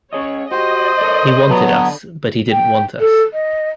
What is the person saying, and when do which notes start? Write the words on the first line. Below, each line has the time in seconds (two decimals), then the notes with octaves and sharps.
He wanted us but he didn't want us.
0.13 C#4 G#4 C#5 D#5
0.51 F#4 G4 C5 D#5
1.02 A4 A#4 C#5
1.49 D3 F#3 B3 A5 B5
2.51 G5
3.00 A4
3.33 D#5